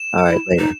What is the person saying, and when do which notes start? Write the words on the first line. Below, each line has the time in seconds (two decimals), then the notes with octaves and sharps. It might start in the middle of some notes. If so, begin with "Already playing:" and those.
Alright, later.
Already playing: E7
0.28 E4
0.59 D#4